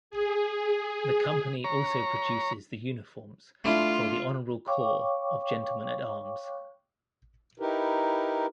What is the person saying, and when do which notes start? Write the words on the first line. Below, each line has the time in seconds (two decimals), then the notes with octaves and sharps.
The company also produces the uniforms for the Honourable Corps of Gentlemen at Arms.
0.11 G#4
1.64 C#5 A#5
3.64 A3 D4 E4 F4
4.67 C#5 F5 G5 C#6 D6
7.60 D#4 E4 G4 A#4 B4